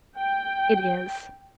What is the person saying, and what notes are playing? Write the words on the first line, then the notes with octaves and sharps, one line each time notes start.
"It is."
G5